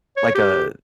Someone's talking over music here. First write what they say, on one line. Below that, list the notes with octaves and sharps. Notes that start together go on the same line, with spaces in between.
like, a
C#5
G4